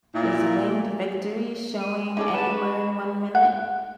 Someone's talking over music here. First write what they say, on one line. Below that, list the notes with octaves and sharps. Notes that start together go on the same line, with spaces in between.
Is Winged Victory showing anywhere in one minute?
A#2 E4
D#7
G#3 C#4 D#4 G#4 A4 D6
B4 F#5 A5 E7
C#6
F#5